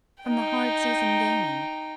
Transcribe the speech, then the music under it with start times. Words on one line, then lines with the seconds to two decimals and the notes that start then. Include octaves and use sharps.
From the hard season gaining?
0.24 D#4 G5